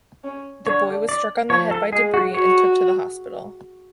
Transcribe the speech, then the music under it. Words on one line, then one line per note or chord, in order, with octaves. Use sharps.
The boy was struck on the head by debris and took to the hospital.
C#4
D3 C#5
D5
F3 C#5
A4
G#3 G#4
F#4
F#4 C#5